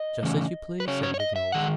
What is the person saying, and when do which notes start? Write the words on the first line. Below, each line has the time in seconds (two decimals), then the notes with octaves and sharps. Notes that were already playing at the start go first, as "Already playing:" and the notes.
"Just as you please," said Vignolles.
Already playing: D#5
0.23 C#3 E3 A3 C#4
0.80 B4
0.87 C#3 F#3 C#4 C#5
1.03 C#5
1.14 C#5
1.20 D#5
1.36 E5
1.52 D#3 G#3 F#5